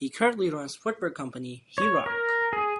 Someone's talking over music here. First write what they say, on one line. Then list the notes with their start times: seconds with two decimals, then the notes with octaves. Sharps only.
He currently runs footwear company, Heroyk.
1.78 C#5
2.06 A#4
2.53 G#4